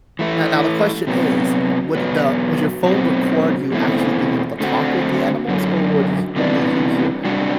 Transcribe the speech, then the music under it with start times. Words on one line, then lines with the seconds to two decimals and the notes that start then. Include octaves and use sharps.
now now the question is, would the would your phone record you actually being able to talk with the animals, or would you only you hear it?
0.19 E3 A3 E4
1.07 C3 F#3 B3
1.95 E2 B2 F#3 B3
2.83 B2 F#3 C4
3.72 E2 B2 A3 C4 E4
4.60 D3 A3 C4 F#4
5.48 F#2 D3 F#3
6.36 C3 E3 G3 B3 D4
7.24 C3 G3 D4 F#4